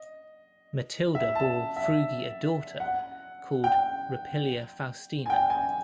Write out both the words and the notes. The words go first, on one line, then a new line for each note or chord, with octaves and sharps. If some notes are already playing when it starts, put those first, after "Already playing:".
Matidia bore Frugi a daughter called Rupilia Faustina.
Already playing: D#5
E5
A5
E5
F#5
G5
G#5
G5
G#5